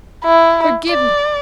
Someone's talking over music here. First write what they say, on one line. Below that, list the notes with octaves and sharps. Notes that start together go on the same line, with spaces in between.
Forgive me!
E4
D5